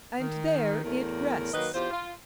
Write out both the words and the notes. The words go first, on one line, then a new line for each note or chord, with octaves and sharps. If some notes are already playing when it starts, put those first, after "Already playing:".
And there it rests.
D#3
E2 A2 A3 A#4
D#3 F#3 A#3 B4 D#5
E2 F4 G4 C5
F4